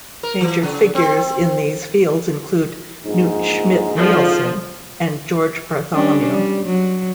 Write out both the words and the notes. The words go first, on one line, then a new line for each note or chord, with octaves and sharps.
Major figures in these fields include Knut Schmidt-Nielsen and George Bartholomew.
A#4
E3
C#3
C4
A#1 G#2 D#4
F2 G#2 D3 F3
G3 C#4 D4
G3
F#3